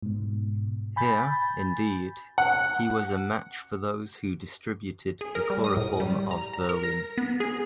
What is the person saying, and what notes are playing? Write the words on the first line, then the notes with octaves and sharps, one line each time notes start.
Here, indeed, he was a match for those who distributed the chloroform of Berlin.
G#2 B2
G#5 B5 G6 A6
F#5
G#4
A#4
G3
D#6
A2
G3
A#5
A#5
A#4
A#6
B3
G#4